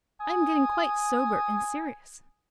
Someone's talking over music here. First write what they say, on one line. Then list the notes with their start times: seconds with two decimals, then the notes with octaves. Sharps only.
I am getting quite sober and serious.
0.20 G#5 D#6